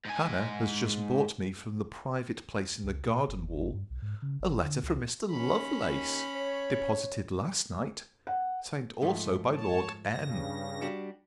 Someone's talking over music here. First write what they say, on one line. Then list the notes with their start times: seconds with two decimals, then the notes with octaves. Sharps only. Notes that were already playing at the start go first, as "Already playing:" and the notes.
Hannah has just brought me from the private place in the garden-wall, a letter from Mr. Lovelace, deposited last night, signed also by Lord M.
0.06 G#2 G#5
2.84 C#2
3.07 A#2
3.28 F#1
3.59 G#1
3.73 G2
3.90 B1
4.02 G#2
4.22 C#3
4.40 G1
4.64 D3
4.83 C#2
5.31 D#2 C#4 B5
5.86 D#2
6.35 C#5
8.27 F#5
9.02 G#2 F3 A3
9.54 C#5 A5
10.09 G2 C#3 A#6
10.82 G3 D4 F#4